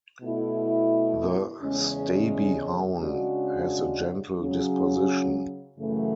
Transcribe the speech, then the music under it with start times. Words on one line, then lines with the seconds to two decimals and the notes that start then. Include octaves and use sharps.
The Stabyhoun has a gentle disposition.
0.21 B2 A3 E4
1.60 E2 C#3 G#3 C#4
2.99 C#3 G#3 D4 F#4
4.38 C#3 F#3 C#4 G#4
5.77 F#2 C#3 E3 A3